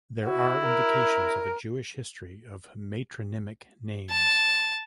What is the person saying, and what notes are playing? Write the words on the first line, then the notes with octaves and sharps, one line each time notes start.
There are indications of a Jewish history of matronymic names.
E4 F#4
A#4
A5